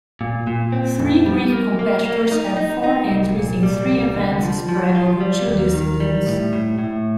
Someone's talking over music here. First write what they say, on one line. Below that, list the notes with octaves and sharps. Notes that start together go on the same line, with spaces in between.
Three Greek competitors had four entries in three events spread over two disciplines.
A#2
A#2
C4
F2
G3
A#3
A#3
A#3
D#4
D#4
D#4
C2
A#2
G3
C2
D3
F3
F3
F4
G3
D#2
D#3
G3
A2
A2
A2